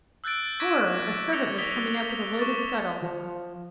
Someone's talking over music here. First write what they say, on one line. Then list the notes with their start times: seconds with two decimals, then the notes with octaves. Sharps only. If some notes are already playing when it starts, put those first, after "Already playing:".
Horror! a servant was coming up with a loaded scuttle.
0.24 E6 F#6 G6 A6 D7
0.60 C#6 D6 G#6 A#6 B6 D7
1.32 A#6 C#7 F7 G7
1.58 C#6 D#6 A6 B6 F7 G7
2.10 B6
2.39 C#6 D6 A6
3.02 F3